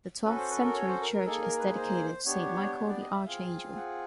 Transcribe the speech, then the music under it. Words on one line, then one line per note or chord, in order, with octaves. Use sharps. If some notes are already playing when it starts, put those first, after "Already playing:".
The twelfth- century church is dedicated to Saint Michael the Archangel.
C#4 F#4 A4 B4
C5
B4
A#4
C#5
C5
A#4
A#4
A#3 D#4 G#4 A4
A#4
B4
C5
B3 D4 G4 C#5
C#5
D5
D#5
E5
C4 F4 G#4 F5
F#5